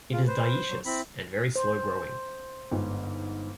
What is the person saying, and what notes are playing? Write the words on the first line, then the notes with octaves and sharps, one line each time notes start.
It is dioecious and very slow-growing.
C#3 F4
B4 C5
F#3
C4 E4 B5
C5
G1 G#2